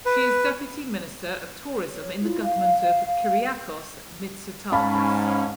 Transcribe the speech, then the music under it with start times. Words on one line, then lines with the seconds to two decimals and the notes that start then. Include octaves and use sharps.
She is Deputy Minister of Tourism in the government of Kyriakos Mitsotakis.
0.06 B4
1.91 C#5
2.21 E4 F4
2.43 F5
4.72 G#2 C#4 F5 A5 B5